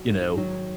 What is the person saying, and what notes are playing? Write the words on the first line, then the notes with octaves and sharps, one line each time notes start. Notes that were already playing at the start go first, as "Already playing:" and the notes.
you know,
Already playing: F#3
G#2 F3
G#2 D#3 F#3